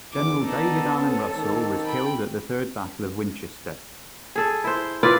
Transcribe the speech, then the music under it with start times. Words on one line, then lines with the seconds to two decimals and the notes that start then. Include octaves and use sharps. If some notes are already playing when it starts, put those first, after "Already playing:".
General David Allen Russell was killed at the Third Battle of Winchester.
0.13 E2 D6
0.45 B3 D4 D#4 A4
0.97 C4 C#4
1.34 D#3 A#3 C4
1.83 G5 B5
4.36 G#4 A4
4.64 E4 C5
5.03 E4 F4 B4 D5